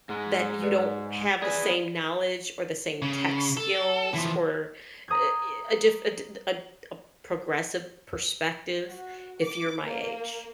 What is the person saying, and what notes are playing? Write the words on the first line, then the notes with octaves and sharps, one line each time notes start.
that you don't have the same knowledge or the same tech skills or, eh ye a diff a di a d a progressive perspective if you're my age.
G#2 G#3
B4 D5
G#4 B4 D5 G#5
C#3
A4
E3 F3
A#5 D#6 G6 G#6
F#4
D6
A#3